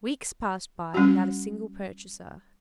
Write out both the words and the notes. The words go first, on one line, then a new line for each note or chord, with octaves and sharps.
Weeks passed by without a single purchaser.
G3 C#4 F#4